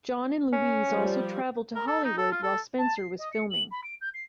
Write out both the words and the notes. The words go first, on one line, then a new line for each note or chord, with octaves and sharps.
John and Louise also traveled to Hollywood while Spencer was filming.
C#4
F3 G3
A#4
A4
D#4
A4
F4
A4
A5
C7
D#5
C#7
F#7
B5
D7
G6
C7